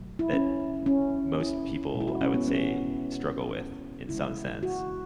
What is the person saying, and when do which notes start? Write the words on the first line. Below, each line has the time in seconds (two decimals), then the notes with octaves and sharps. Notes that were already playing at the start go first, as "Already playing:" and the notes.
that m most people, I would say, struggle with, in some sense.
Already playing: B2 F#3 A3
0.19 E4
0.33 C#4
0.86 C#4
1.40 E4
1.94 B2 G#3
2.01 E4
2.08 F#4
2.21 C#4
2.34 B3
2.48 C#4
4.09 C#3 E3 G#3 E4
4.63 F#4